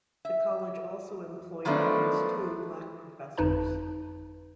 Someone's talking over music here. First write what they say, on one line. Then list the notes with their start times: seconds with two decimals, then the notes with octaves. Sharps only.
The college also employed at least two black professors.
0.25 E5
1.65 D#3 F3 F#3 A3 B3 D4
3.38 G1 F2 D#4 B4 A5